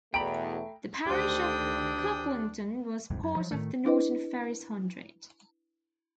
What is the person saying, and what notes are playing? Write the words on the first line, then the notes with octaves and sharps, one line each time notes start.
The parish of Cucklington was part of the Norton Ferris Hundred.
E2 B2 A3 G5 A#5 B5 D7
D2 D#3 D4 G4 C5 G5 D#6
D#1 C2 F2 G#2
F#2
F3 F#3
A2 D#3 A3
D4 E4 B4 D#5